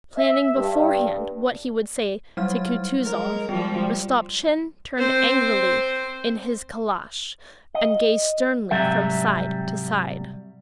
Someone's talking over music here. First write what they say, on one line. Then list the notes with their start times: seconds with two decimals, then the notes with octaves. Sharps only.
Planning beforehand what he would say to Kutuzov, Rostopchin turned angrily in his caleche and gazed sternly from side to side.
0.17 E5
0.55 G2
2.37 F#3 G3 F6
3.06 G#3 A#4
3.49 F3 G3 G#3
4.98 C4 C5
7.74 D#5
8.71 G#2 C3 F#3 G3 E5